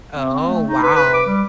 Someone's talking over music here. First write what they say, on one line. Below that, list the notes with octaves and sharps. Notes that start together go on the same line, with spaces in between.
Oh, wow.
C4
C4
A3
D#4
B4
B4
D6
G3